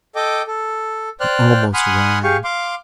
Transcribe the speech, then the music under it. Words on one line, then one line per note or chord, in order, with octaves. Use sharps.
He almost ran.
A4 D#5 G5 D6
A4
C5 D5 G5 F6 F#6
F#5 G#5 B5 C6 D#6 F6
G4 G#4 F5 C#6
F5 C6 D6